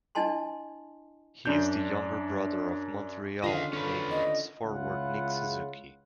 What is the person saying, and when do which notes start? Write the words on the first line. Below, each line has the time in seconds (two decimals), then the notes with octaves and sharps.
He is the younger brother of Montreal Canadiens forward Nick Suzuki.
0.15 D4 E4 D#5 G#5 A5 C6
1.45 F#2 D4 G6
3.44 D3 D#3 C#4 F4 D#5 F5
3.73 C#4 A4 B4
4.11 D#5
4.62 C#2 C#3 E4 F4 F#5